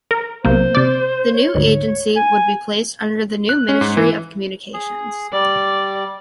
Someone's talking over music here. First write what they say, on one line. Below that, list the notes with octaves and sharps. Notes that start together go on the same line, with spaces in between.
The new agency would be placed under the new Ministry of Communications.
A#4
B1 C3 A#3 C5
C3 D5
C#5
D2 G#2
G#5
F#6
C#4
G#2
E3
G#4
G3 D5